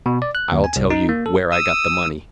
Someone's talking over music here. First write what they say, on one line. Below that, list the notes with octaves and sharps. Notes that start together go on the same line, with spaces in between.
I'll tell you where I got the money!...
B2
D5
F#6
D#2
G#5
C2
D#4
A#3
A4
D#6 E6